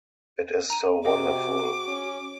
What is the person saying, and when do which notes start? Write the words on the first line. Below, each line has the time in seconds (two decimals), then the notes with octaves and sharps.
It is so wonderful.
0.70 A#5 D#7
1.05 C3 F#4 G#4 D#5 G5 D6
1.88 C#4